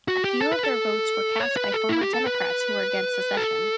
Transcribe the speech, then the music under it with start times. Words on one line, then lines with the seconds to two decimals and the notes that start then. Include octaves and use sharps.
A few of their votes were cast by former Democrats who were against secession.
0.08 F#4
0.24 G4
0.41 A4
0.52 B4
0.63 A4
1.40 C#5
1.56 B4
1.73 A4
1.89 E4
2.01 G4
2.14 A4
2.26 B4
3.37 A4